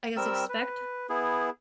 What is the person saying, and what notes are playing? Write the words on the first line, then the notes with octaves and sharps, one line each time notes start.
I guess, expect
G3 C4 A#4 E6
B4
B3 E4 G#4